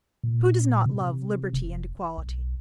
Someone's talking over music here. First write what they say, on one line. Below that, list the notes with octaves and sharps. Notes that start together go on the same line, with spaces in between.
Who does not love liberty and equality?
A#2
C3
F1
B1